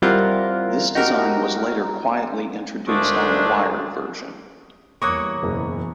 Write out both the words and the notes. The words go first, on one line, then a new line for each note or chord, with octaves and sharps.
This design was later quietly introduced on the wired version.
G3 C4 E4 F4 A#4 F#5
D#4 F#4 G4 A#4
D2 A#2 D3 G#3 A3 D4
E2 E3 G3 A#3 C#5 C#6 D#6 F#6
F#1 E2 B2 E3